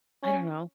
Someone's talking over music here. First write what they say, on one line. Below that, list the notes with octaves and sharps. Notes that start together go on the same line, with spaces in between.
I don't know.
C#4